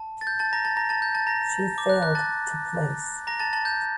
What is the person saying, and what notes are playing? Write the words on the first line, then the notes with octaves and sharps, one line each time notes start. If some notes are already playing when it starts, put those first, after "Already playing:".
She failed to place.
Already playing: A5
A6
G6
A5 A6
A#5 A#6
A5 A6
A#5 A#6
A5 A6
G6
A5 A6
A#5 A#6
D6
F#6
F#6
A5 A6
A#5 A#6
A5 A6
A5 A6
G6